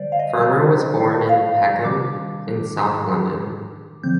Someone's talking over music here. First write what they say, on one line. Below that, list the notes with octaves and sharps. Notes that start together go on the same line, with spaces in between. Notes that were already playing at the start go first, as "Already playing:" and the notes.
Fermor was born in Peckham in south London.
Already playing: D3 G3 C5 D5
F5
D#5
F5
D#3 G3 D4 D6
D3 F3 C4 G6